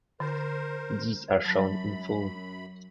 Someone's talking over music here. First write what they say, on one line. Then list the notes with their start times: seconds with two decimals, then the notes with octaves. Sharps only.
These are shown in full.
0.20 D3 A#4 C5
1.45 F#2 F#3 A5 B5